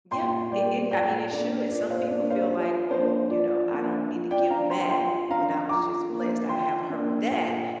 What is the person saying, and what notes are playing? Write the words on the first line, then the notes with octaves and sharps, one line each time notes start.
Yep. It it I mean, it should, some people feel like, "Well, you know, I don't need to give back, when I was just blessed," I have heard that,
A#2 G5 C6
G3 A#3 D5 G5
A#2 D5 G5
A#3 D4 D5
A#2 D5
C5 F5
A#3 D4 D5
C5 F5
F3
A#3 D4 C5
F3 D5
A#3 D4
F3
D5 G5
D4 F5 A#5
G5 C6
F3 G5 C6
D4 F5 A#5
F3 A#5 D6
A#3 D4
F3 G5 C6
A#3 D4
A#2